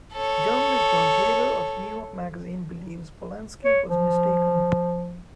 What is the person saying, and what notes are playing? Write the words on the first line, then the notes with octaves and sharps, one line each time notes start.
Journalist John Taylor of New York Magazine believes Polanski was mistaken.
A4 C#5
C#5
F3